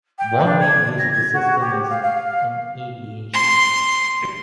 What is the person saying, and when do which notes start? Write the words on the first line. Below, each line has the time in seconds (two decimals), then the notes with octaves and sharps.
One main use of the system is in aviation.
0.19 G5
0.45 D4
0.60 G#6
0.99 A#6
1.11 G#6
1.33 F#4
1.61 G4
1.89 F5
2.03 F5
3.33 C6